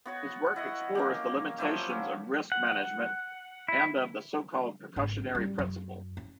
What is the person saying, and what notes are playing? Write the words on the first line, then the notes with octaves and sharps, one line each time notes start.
His work explores the limitations of risk management and of the so-called precautionary principle.
B3 F#4 C#5
E4 D#5 F#5
A#3 C#4 G4
F3 F#3 E4 G4
C#4
F#5
E4
G#1
G3
F#2
C#4